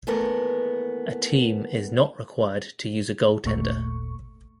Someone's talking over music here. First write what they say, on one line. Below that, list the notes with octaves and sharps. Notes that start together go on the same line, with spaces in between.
A team is not required to use a goaltender.
D#2 E3 A3 B3 A#4
G#1 D#2 A#2 A3 C#6